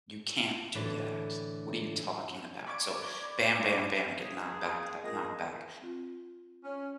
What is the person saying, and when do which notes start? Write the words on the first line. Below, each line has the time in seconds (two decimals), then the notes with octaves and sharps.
you can't do that. What are you talking about? So bam, bam, bam, get knocked back, d knocked back,
0.74 A2 D3 E3
2.66 D5 B5 C#6 D6 G#6 D7
4.15 A#3 G#4
5.02 A#2 G#3 D#5
5.82 C4 F4
6.64 C#4